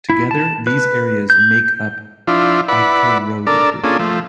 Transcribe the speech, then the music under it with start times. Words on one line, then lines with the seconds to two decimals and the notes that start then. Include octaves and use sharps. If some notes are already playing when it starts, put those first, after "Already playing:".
Together these areas make up Ikorodu Division.
0.10 E4
0.31 A5
0.67 B4
1.30 G6
2.27 F3 D4 E4 F4
2.68 E4 B4 D5 F#5 B5
3.47 D4 A4 A#4 D5
3.84 A#3 C#4 D4 F4 G#4 A4
3.99 F3 A3